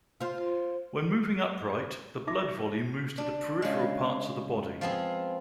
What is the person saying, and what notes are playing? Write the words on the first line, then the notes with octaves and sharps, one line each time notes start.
When moving upright, the blood volume moves to the peripheral parts of the body.
F4 C5
D#4 E5 D6
D4
C#3 G#3
F3 B3 C4 G#4